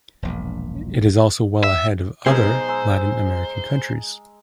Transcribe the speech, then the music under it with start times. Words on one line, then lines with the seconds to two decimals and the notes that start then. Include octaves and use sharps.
It is also well ahead of other Latin American countries.
0.22 E1 A#1 G2
1.64 E5
2.26 B1 G#3 D#4 G#4 A#4 C5
2.68 G#3 A#5 E6